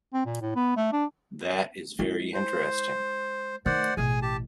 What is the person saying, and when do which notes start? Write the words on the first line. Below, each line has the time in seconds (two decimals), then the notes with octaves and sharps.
That is very interesting.
0.14 C4
0.26 A#2
0.41 A2
0.56 B3
0.77 A3
0.92 D4
1.99 G#3 E4
2.34 C5
3.66 D#3 A3 C5 D5 F#5
3.97 A1 B2 G#4 G#5
4.22 G4 A5